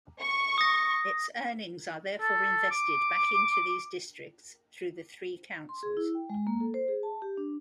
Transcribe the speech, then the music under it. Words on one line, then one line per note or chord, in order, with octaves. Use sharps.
Its earnings are therefore invested back into these districts through the three councils.
C#6
D#6 A#6
A4
D6
C6
G#4
E4
G5
G#3
A#3
A4
C5
G#4
A5
G4
D4